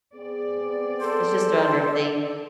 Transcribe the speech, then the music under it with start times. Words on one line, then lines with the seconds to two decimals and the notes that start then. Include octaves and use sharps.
It's just another thing.
0.15 B3 C4 G#4 D5
1.01 A4 C5